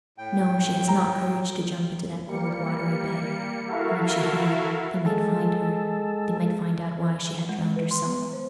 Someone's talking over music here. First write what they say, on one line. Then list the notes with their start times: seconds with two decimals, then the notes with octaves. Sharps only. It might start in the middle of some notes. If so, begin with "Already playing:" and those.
No, she has not courage to jump into that cold watery bed, and if she had, they might find her--they might find out why she had drowned herself.
0.18 A2 G5
0.88 A#5
2.27 G3 A#3 C#7
3.67 E4 F#4 A4 A#4 E5 F5
5.06 G#3 A4
7.49 G#3
7.76 B4
7.91 C6
8.05 B3
8.33 C5